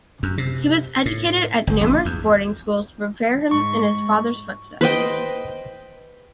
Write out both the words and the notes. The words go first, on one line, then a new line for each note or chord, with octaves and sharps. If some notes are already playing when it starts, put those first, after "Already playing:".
He was educated at numerous boarding schools to prepare him in his father's footsteps.
F#2
C3
A2
G1
A#1
E2
G#2 C#6
B4 C5 D#5 G5